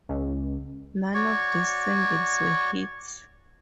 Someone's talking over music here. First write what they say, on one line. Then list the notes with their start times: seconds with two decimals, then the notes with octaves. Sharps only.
None of these singles were hits.
0.09 C#2
1.14 F#4 C#5 D5 C#6